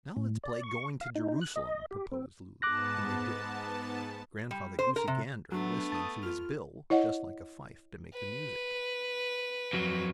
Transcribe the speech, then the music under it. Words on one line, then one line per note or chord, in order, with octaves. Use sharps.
"Now let's play going to Jerusalem," proposed Lulu, and they did, Grandfather Goosey-Gander whistling through his bill, just like a fife, to make the music.
A2
D5
C#6
F5
D#4
D#4
F#6
D#5
G4
C4
G#2 B3 A5 D6 F#6 A#6
G3
C5
A#4
C3
F#3 A3 B3 D4
A5 D#6
F4 F6
E4 C#5 D#5 F#5
B4
F2 F#3